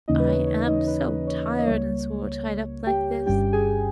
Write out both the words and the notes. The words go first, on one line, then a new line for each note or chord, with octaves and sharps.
I am so tired and sore tied up like this.
D#2 C#3 E3 A#3 C#4 D#4 D#5
B4
C#5
C#5
D#4 D#5
B4
C#5
D#5
C#2 C#3 G3 A#3 C#5
G4 G5
G1 G2 G3 C#4 G4 G5
G#4 G#5